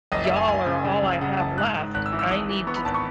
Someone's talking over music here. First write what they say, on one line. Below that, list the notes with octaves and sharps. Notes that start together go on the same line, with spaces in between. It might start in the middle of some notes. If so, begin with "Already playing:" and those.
y'all are all I have left. I need to
F#1 D#5
E5
F#1
G#5
F#1 G#5
C#3
C#3
F#1
C#3 F#5
F#1 A5
G#2 F#6
G#2
G#1 F#6
E6
E3
E6
G#1 D#6
E3
B3 C#6
B5
G#1 A5
C#6